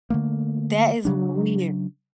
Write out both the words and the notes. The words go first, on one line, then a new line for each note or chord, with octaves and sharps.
That is weird.
D3 A3 A#3
C#3 F#3 D4